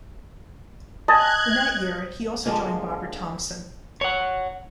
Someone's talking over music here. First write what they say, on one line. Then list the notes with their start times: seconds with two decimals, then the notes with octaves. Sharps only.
In that year, he also joined Barbara Thompson.
1.08 D#5 G#5 A5 F#6 G#6
2.45 D3 F3 G#3 A#3
4.01 C#5 F#5